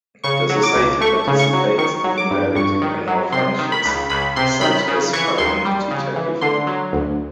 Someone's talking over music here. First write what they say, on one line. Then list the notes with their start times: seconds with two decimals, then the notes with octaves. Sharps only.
The Society participates in directing annual functions such as "Parent-Teacher Evening".
0.24 C#3 C#6
0.49 F#3
0.63 D6
0.75 C#2
1.01 A3 C#6
1.27 C#3
1.39 C#6
1.53 F#3
1.78 D#3 C#6
2.04 F#3
2.18 D6
2.31 G2
2.56 G2 C#6
2.81 D#3
3.07 F#3
3.32 C3 C6
3.58 D#3
3.72 B5
3.85 C#2
4.10 C#2 B5
4.36 C3 C6
4.61 D#3 B5
4.88 C#3
5.13 E3 C#6
5.38 D#2 C6
5.65 G3
5.91 C#3
6.16 E3
6.41 D3 C6
6.67 F#3
6.93 D2